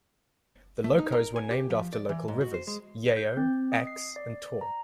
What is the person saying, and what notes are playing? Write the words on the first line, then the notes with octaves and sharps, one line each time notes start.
The locos were named after local rivers: "Yeo", "Exe", and "Taw".
A3
D#4
A#4
G#5
G4
F3
D5
E3
G#2
F#4
C5
G#3
G6
C4
D#5
C7
D5
A#5